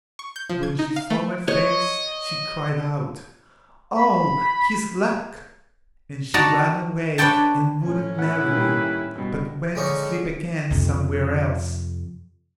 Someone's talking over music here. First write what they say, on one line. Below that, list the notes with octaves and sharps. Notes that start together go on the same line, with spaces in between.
But when she saw my face she cried out, 'Oh, he's black!' And she ran away and wouldn't marry me--but went to sleep again somewhere else.
C#6
G6
F3
G#6
D#4
F5
A3
C#5 D#5
B5
D#4 F#4 D5 F#5 A5 A#5
D4 B4 C#5 D5 G5 A5
A2 C#4
E4 B4 F#5
D#3 G3 A#3
G2 B2
G#2 D3 C#4 D#4 C#5
F2 C3